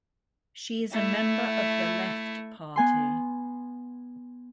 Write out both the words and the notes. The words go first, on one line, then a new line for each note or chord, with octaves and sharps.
She is a member of the Left Party.
A3 E4
B3 G#5 C6